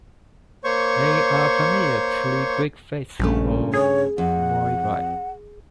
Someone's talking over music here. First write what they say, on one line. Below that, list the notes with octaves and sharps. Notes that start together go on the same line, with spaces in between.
They are similar to the Greek Fates or Moirai.
A#3 C5 C#5 C#6
A#1 G2 C#3 A3
G#4 C#5
F2 F#5